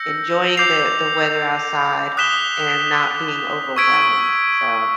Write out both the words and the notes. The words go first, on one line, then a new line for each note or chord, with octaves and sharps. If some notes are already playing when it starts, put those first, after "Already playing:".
enjoying the the weather outside, and not being overwhelmed. So
Already playing: E6 G6 A#6 C#7
D6 G6 C7 F7
D#6 F#6 B6 E7 G7
C#6 E6 G#6 B6 D7